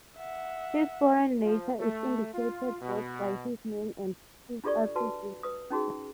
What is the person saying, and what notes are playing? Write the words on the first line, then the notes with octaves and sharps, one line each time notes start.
His foreign nature is indicated both by his name and his attributes.
E5 F#5
F3
A3
F4
B2
D4 F4 G4 A4 D5 C#6
F#4 B4 A5
B4 D#6
C#4 D#4 F#4 G#4